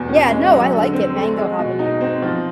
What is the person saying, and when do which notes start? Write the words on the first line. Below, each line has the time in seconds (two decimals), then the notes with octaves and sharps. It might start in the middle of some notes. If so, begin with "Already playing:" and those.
Yeah, no, I like it, Mango Habanero.
Already playing: E2 B2
0.08 C#4
0.30 G#3
0.51 F#3
0.73 D3
0.93 C4
1.15 A3
1.37 G#3
1.59 B2
1.79 D#4
2.01 C4
2.22 F3